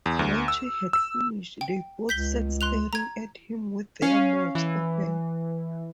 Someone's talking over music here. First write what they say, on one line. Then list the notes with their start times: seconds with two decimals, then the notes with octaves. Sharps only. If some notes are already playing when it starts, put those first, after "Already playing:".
When she had finished, they both sat staring at him with their mouths open.
0.06 E2
0.19 D2
0.48 E6
0.93 E6
1.61 G5
2.09 C#2 G6 B6 G7
2.61 C6 F#6 F7
2.93 A#5 G#6
4.02 C#4 F5
4.55 E3